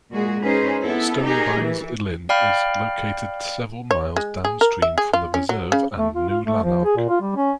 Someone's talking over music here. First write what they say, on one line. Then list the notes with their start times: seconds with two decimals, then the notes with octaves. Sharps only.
Stonebyres Linn is located several miles downstream from the reserve and New Lanark.
0.11 A#2 G#3 F#4 G#4
0.42 C#4 D#4 G#4 B4 C5
0.82 B3 E4 A4
1.23 D#4 G4 G#4 A#4
1.57 E3
2.29 D5 F5 G5 B5 F6
3.91 C#5
4.16 G#3
4.45 G#4
4.61 A#4
4.82 E5
4.98 G#4
5.13 F4
5.34 C#4
5.49 F#3
5.72 C#3
5.98 A3
6.15 F4
6.29 F4
6.45 A3
6.64 F3
6.85 G#4
6.97 A#2
7.09 F4
7.21 G3
7.36 C#4